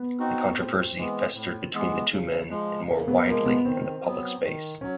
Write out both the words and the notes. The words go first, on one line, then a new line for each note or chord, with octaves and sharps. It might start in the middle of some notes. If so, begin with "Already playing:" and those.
The controversy festered between the two men and more widely in the public space.
Already playing: B3
C4 D#4 F#4
A2 C4
E3 G#3 B3
A2
E3 G#3 B3
C#3
F3 G#3
C#3 A#3
B3
F3 G#3 A#3
B3
D#3 C4
F#3 B3
D#3
F#3 C#4